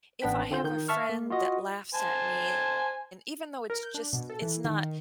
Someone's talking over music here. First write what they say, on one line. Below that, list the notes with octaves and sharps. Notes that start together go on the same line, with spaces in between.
if I have a friend that laughs at me, and even though it's just, it's not
A1 B3 D4 B4 G5 B6
D3 C4 F4 G6
D#3 G6
E5 A5 C#6 F6
A#3
F4 F#4 D#5
C5 G#5 A5
A#4
G6
D4
B2
A4
E3
D#3